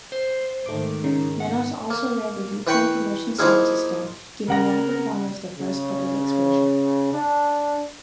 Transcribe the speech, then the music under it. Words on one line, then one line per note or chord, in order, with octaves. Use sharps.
Minott also ran the Youthman Promotion sound-system, giving young performers their first public exposure.
C5
G#2 D#3 A3 D6
C#3 D#4
F#5
A#3
E3 B4 G5 B5 C#6
F3 A#3 D#4 E4 G#4 A#4
C#3 A#4 F#5 A#6
C#3
D4